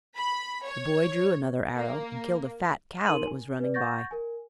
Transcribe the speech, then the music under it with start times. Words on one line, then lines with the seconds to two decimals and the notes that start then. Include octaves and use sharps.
The boy drew another arrow, and killed a fat cow that was running by.
0.15 B5
0.64 C#5
1.73 A#3
3.07 D#4 A#4 C6 D#7 F#7
3.27 G#5
3.60 B4 D5
3.74 F#5 C#6 G6 A6 A#6
4.11 A#4 G#5